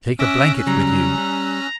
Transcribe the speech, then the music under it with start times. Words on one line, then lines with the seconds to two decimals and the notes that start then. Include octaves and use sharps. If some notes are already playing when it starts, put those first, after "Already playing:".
"Take a blanket with you."
0.19 C#4 E5 D6 E6 F#6 A#6
0.66 C#3 F#3 G3 A#5
1.18 G3